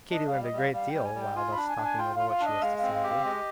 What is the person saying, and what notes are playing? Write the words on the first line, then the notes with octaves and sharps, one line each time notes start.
Katy learned a great deal while thus talking over what she was to see and do.
D4 D#5
G3 F5
D#5
G3 F5
G3 F5
G3 G5
G#5
G3
G5
F4 G#5
B5
D4
G#5
D4
G#5
F4 G5
F4 F5
F5
D4
D#5
G#3 F5
F5
C4
F5
G4
F5
G#3 D#5